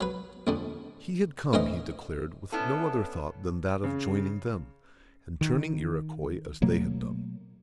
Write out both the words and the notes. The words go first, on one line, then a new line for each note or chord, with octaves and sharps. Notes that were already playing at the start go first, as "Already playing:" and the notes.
He had come, he declared, with no other thought than that of joining them, and turning Iroquois, as they had done.
F#3 B4
A#1 F2 D3
A2 D3 E3 C4 C5 D#5
B3 C#4 D4 E4 A4
C#3
D#3
B2 F#3 A3 A#3